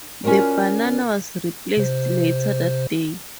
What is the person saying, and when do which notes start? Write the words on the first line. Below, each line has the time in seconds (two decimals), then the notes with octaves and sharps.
The banana was replaced later that day.
0.24 C#4 F4 F#4 A#4 D5
1.77 C3 C5